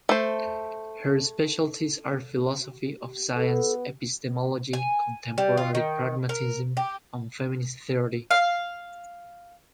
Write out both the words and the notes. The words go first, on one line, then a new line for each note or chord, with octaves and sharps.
Her specialties are philosophy of science, epistemology, contemporary pragmatism, and feminist theory.
A3 C5
B3 A4
G#5
G3
F4
D#3
A#4
G4
F5